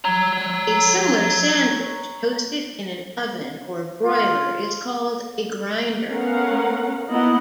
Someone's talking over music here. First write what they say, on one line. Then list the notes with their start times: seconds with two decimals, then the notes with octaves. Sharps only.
A similar sandwich toasted in an oven or broiler is called a "grinder".
0.05 C#5 A#5
4.03 F4
6.09 A3 B3 C#4 A#4 F5 F#5
7.09 A#3 B3 D#4 E4 D#5 F#5